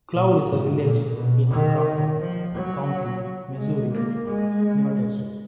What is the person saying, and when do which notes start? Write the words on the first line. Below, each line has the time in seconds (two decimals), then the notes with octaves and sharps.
Cloud is a village in Crawford County, Missouri, United States.
0.11 A#2
0.47 G#2
0.81 A#2
1.16 B2
1.50 D#3
2.19 F3
2.54 F#3
3.57 G#3
3.92 A#3
4.27 G#3